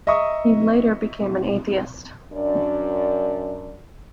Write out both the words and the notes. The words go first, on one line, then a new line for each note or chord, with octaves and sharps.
He later became an atheist.
D#5 E5 A#5 C#6 D#6
F#2 D4 D5